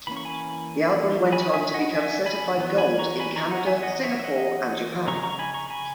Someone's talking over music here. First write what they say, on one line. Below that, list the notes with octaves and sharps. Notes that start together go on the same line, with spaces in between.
The album went on to become certified Gold in Canada, Singapore, and Japan.
E3 A#3 C#4 B5
C#6
G#5 B5
G#5 B5
E5 G#5
D#5 F#5
E5 G#5
G#5 B5
E3 B3
G#5 B5
A#5 C#6
G#5 B5
A#5 C#6
F#5 A#5
E5 G#5
D#5 F#5
C#5 E5
E5
D#5 F#5
C#3 G#3 C#4 A#5 C#6
A#5 C#6
G#5 B5
A#5 C#6
G#5 B5